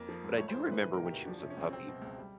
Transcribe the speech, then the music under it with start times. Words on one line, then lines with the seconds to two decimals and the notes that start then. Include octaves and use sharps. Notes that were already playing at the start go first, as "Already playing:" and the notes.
but I do remember when she was a puppy,
Already playing: F2 A#3
0.09 F3
0.24 G#2
0.38 A3 C#5
0.49 C5
0.53 E3
0.60 C5
0.67 A2 B4
0.82 D#3 B4
0.93 A#4
0.97 C3
1.05 G4
1.12 E2 F#4
1.27 F3 D4
1.39 C#4
1.43 C3
1.50 C#4
1.57 C#2 C4
1.73 F#3 C4
1.88 B2
2.02 C#2
2.18 G3